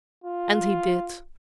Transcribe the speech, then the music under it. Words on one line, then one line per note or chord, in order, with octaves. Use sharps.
And he did.
F4